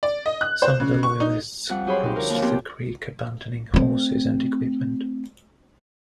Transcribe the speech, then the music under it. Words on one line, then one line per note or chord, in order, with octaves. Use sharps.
Some of the Loyalists crossed the creek, abandoning horses and equipment.
D5
D#5
F#6
C5
C#3
C#6
D#4
F2 G3 F#5
F#3 G4 G#4 C5 C#5 B5
D#4 G4
D3 F3 A#4
D#2 F3
B3 C4 G4
A3 C4